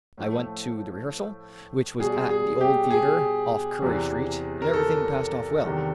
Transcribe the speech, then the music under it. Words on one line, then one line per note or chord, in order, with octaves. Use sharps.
I went to the rehearsal, which was at the Old Theatre, off Currie-street, and everything passed off well.
A2 F3 A3
B2 G3 G#4
G#4
G4
G#4
E2 C3 E3
A#4
A4
E2 C3 D#3